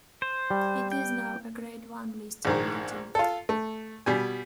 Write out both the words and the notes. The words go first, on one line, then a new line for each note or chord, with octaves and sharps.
It is now a Grade One listed building.
C5
G3
G5
A#1 G#2 D#3
F4 A4
A3
B2 G3 G#5